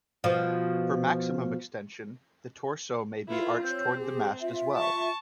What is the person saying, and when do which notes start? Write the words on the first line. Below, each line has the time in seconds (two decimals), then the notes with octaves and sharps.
For maximum extension, the torso may be arched toward the mast as well.
0.24 B2 F3
3.29 E4 F4 A4 B4
3.64 C4 C#5 E6 G6
3.98 G4 G#4
4.41 F4 E5
4.77 A5 C#6